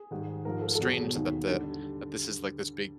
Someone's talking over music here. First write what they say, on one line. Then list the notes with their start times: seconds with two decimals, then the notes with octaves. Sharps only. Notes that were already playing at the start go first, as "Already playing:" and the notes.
strange that the that this is, like, this big,
Already playing: G#4
0.11 G#2 D#3 G3
0.45 G#2 F3 A#4
0.61 A4
0.75 A4
0.79 E2 B2 F#3 G#4
1.13 D#2 D#3 F#3
1.48 D3 G3